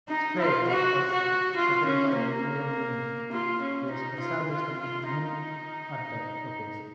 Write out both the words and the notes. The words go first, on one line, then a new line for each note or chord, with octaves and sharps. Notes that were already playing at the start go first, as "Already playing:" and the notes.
Sprague was first settled by William Newman, who established an inn at the location.
D#4
F4
F#4
F#4
F4
C#4
A#3
F4
C#4
D#4
F4
F4
F4
D#4